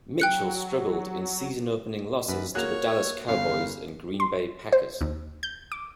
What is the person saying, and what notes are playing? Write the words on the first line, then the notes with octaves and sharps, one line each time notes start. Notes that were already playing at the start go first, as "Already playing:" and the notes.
Mitchell struggled in season-opening losses to the Dallas Cowboys and Green Bay Packers.
F#3 G5 F#6 C#7
F#2 B4
A#3 F#4 G#4 C#5 F#6 F7
G1 C#4 F5
C6
C5
D#2
G6
D6